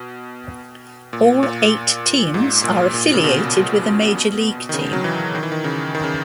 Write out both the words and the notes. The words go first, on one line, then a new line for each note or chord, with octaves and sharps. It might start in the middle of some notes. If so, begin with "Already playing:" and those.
All eight teams are affiliated with a major league team.
Already playing: B2
A#2
A#2
G#2
A#2
A#2
C#3
B2
D#3
C#3
F#3
E3
D#3
E3
D#3
C#3
D#3
C#3